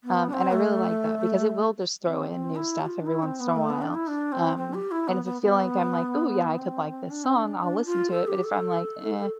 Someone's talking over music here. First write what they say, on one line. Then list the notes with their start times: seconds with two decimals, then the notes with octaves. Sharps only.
um, and I really like that because it will just throw in new stuff every once in a while. Um, and if I feel like I'm like, "Ooh, yeah. I could like this song." I'll listen to it, but if I'm like, "Eh,"
0.04 B3
0.29 D4
0.33 C4
0.54 A3
2.05 C4
2.31 C4
2.56 E4
2.81 G4
2.86 F4
3.00 D4
3.06 E4
3.23 C4
3.40 B3
3.56 A3
3.69 B3
3.82 D4
3.94 E4
4.07 D4
4.32 C4
4.57 C4
4.74 G4
4.91 E4
5.08 B3
5.25 B3
5.42 B3
6.59 C4
7.10 D4
7.24 C4
7.35 D4
7.60 D4
7.85 F4
8.11 A4
8.28 G4
8.44 A4